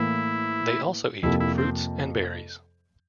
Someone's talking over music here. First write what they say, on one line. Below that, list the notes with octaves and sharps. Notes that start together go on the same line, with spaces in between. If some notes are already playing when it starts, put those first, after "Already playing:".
They also eat fruits and berries.
Already playing: A2 E3 A#3 E4
F2 C3 F3 A#3 E4
E4
C4